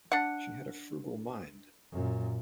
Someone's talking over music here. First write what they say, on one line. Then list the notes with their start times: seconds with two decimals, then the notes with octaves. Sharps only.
She had a frugal mind.
0.12 D4 F#5
1.92 F#2 A#2